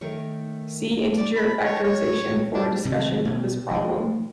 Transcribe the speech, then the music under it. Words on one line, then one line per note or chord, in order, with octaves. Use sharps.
"See integer factorization for a discussion of this problem".
D#3 A3 A#4 C#5
D5
B5
C#5
C#5
D4
C3 D#3 F#3
B2
F3 G#3